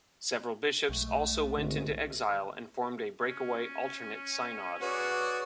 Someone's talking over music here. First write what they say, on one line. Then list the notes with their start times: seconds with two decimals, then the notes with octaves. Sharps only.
Several bishops also went into exile and formed a break-away alternate synod.
0.89 B1 G#3 A3
1.58 G#1 D3
3.24 C#4
4.82 F#4 G#4 B4 C#5 D5